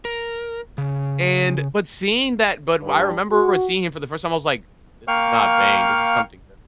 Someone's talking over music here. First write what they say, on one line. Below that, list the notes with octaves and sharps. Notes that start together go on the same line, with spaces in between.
and but seeing that but w I remember seeing him for the first time, I was like, "This is not Bane. This is something different."
A#4
C#3
G2
F#4
A#3 F5 G5 C#6 F6